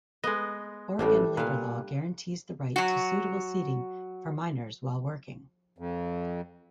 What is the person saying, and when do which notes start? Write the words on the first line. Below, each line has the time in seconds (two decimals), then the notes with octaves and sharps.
Oregon labor law guarantees the right to suitable seating for minors while working.
0.24 G#3 B3 D#5
0.99 A1 G3 A3 D4
1.37 A#2 B4 F5
2.76 F#3 F#4
5.78 F2